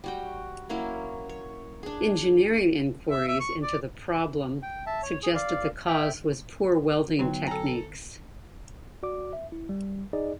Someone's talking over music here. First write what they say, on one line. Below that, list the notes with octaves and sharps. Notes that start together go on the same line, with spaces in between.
Engineering inquiries into the problem suggested the cause was poor welding techniques.
G3 F#4 G5
F#3 A#3 C#4 E4
C#5
D4 G#4
E5
E5
C#6
D5
G5
E5 A5
C#5
G#4
D5 F5
E5 G5
D3 F#3 B3 D#4 G5
A4 G#5 A#5
F#4 D5 D6
E5
E4
G3
D#4 G#4 D5 D#5